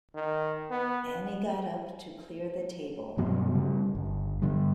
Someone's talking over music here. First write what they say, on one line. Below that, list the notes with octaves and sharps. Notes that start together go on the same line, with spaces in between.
Annie got up to clear the table.
D#3
B3
G2 B2 F#3
C#3 G3
G1
G2 D3 G3